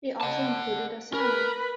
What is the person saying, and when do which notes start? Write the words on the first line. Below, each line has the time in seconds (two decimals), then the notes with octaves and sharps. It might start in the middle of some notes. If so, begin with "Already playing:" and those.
It also included a sauna.
0.21 F#5 A5
1.14 A#4 B4 B5